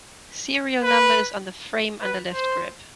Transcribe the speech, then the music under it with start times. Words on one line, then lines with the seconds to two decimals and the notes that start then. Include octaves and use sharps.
Serial number is on the frame under left grip.
0.84 B4
2.02 B4
2.32 C5